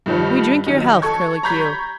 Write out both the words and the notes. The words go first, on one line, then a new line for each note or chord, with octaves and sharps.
'We drink your health, Curlicue.
G2 D#3 F3
D#3 F#3
A4 C#6 G#6
A#5 B5 C#6 G6 G#6 B6